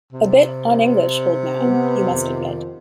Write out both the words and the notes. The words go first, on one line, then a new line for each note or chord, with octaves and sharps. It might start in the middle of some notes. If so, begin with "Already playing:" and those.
A bit un-English, old man, you must admit.
C3
B3
F2 D#3